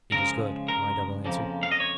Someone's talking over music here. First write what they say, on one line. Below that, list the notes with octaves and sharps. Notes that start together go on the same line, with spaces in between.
"It is good," my double answered.
C#3 F3 G#3 A#4
A#4
F2 C#3 F3 A#3
F5
D#5
C#5